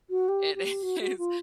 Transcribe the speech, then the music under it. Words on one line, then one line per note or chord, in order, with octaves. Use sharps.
it is
F#4
G4
G4
F#4
F#4
F4